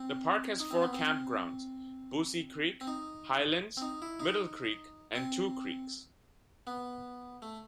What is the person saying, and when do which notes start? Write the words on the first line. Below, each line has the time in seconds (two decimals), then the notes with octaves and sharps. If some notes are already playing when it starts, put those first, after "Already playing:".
The park has four campgrounds: Boosey Creek, Highlands, Middle Creek and Two Creeks.
Already playing: C4
0.60 D#4
0.71 C4
0.82 B3
0.93 C4
2.81 C4
2.87 D#4
3.77 C4
3.82 D#4
4.02 E4
4.20 D#4
5.15 C4
6.67 B3
7.42 A3